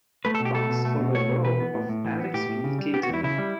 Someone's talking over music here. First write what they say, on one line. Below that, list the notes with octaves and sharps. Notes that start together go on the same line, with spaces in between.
Fox for the role of Alex P. Keaton.
A3 B4
A4
B2
G4
A3 A4
B2
A3
B2
A3 C#5
B2
E3 B4
B3
A2
A2
E3
B3
A2 G4
A2
C#3
G3
B3 G4
F#4
E2 E4
C#3 E4
G3